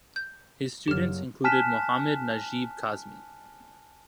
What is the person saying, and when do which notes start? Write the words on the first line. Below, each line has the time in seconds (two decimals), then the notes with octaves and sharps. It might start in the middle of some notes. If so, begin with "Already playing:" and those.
His students included Mohammad Najeeb Qasmi.
0.16 G6
0.88 F#1 F#3 G4 F6
1.44 G#5 A5 F6 F#6 B6 E7